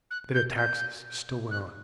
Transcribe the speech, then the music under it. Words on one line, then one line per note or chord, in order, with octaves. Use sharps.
The bitter taxes still went on.
F#6
G6
G6
F#6